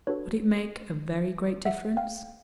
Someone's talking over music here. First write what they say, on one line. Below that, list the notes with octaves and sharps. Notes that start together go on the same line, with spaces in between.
Would it make a very great difference?
D4 F#4 A4 B4 C#5
E5 F#5
F5 G5